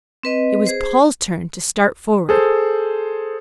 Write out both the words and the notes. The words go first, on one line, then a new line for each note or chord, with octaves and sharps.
It was Paul's turn to start forward.
C4 B4 D#5
G#4 C5
G#4 A4 C5